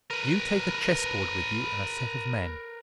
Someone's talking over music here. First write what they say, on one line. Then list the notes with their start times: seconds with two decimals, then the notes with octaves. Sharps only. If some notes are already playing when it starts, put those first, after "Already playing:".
You take a chessboard with you and a set of men.
0.11 A#4 B4 D#7